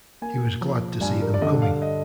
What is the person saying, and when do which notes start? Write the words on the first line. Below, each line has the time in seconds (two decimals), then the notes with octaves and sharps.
He was glad to see them coming.
0.22 A#3 G#5
0.61 F3
1.01 G2 G#5
1.22 A#4
1.34 D5
1.41 D3 D#5
1.62 F5
1.82 D#5